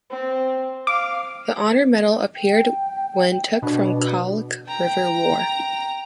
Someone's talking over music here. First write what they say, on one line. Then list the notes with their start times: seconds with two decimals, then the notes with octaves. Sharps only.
The honor medal appeared when took from Khalkh river war.
0.10 C4
0.87 F5 D6
2.36 G5
3.62 B2 D4
4.67 G5 A#5